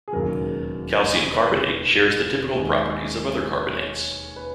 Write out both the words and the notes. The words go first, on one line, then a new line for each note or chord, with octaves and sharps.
Calcium carbonate shares the typical properties of other carbonates.
G#4
E1 D#2 C#3 F#3 A#4
B4
D#2 D#3 G#3
C#5
B4